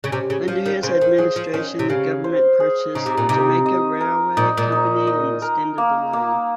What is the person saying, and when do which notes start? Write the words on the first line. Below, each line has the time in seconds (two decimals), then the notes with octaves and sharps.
Under his administration, the government purchased Jamaica Railway Company and extended the line.
0.04 C#3
0.12 C3 C#4
0.30 C#3
0.48 F3 F5
0.66 D#3
0.83 C#3 C5
1.01 D#3
1.18 F#3 G#4
1.36 F3
1.54 D#3 C#4
1.79 C3
1.89 C#3 F5
2.24 C5
2.60 G#4
2.95 C#3 D#4
3.06 C3
3.18 A#2
3.29 C3 D#4
3.66 D#5
4.01 A#4
4.37 A#2 D#4
4.57 A#2
4.72 D#4
5.07 D#5
5.42 A#4
5.78 A#3
6.13 A#3